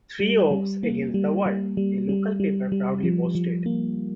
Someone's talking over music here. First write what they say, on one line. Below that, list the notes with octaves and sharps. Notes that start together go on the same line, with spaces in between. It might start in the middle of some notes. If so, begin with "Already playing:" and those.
'Three Oaks Against the World', a local paper proudly boasted.
G3
G3
A#3
G3
G3
G3
G3
G3
G3
F3
F3
A#3